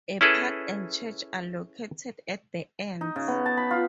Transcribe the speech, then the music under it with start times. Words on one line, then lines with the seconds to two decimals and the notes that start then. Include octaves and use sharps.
A park and church are located at the ends.
0.21 C#4 E4 G#4 A4 B4
3.01 D#4
3.16 C#3
3.28 B3
3.46 A5
3.57 B5
3.71 F4